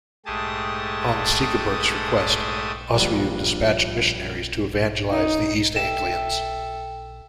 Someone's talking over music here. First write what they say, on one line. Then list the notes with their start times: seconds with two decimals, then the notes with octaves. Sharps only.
On Sigeberht's request, Oswiu dispatched missionaries to evangelise the East Anglians.
0.26 G#2 A3 G4 G#4 A5 D#6
2.95 A#1 G2
5.10 D#4
5.76 A4 E5 G5 E7